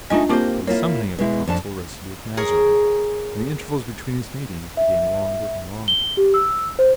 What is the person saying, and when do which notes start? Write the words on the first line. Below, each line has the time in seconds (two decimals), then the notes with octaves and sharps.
But the summoning of the Council rested with Mazarin, and the intervals between its meetings became longer and longer.
0.10 A3 D4 D#4 F4 D#5 G#5
0.29 A#3 C4 F4 G4 C5 D6
0.67 A#3 E4 F4 C#5
1.19 B2 G#3 E4
1.47 F2 D4 A5
2.37 G#4 A#4 C#5
4.77 E5
5.88 G7
6.17 G4
6.34 E6
6.79 C5